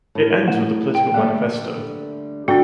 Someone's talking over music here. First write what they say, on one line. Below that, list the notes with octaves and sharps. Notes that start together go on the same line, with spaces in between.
It ends with a political manifesto.
A2 A#4
A3
G5
D3 G3 A3 A#3
D3 D4 F#4 G5